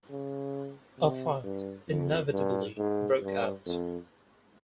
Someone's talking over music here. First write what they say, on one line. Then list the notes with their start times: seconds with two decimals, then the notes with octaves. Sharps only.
A fight inevitably broke out.
0.10 C#3
0.99 C3
1.44 G2
1.88 F2
2.33 G2
2.77 G#2
3.22 G2
3.66 F2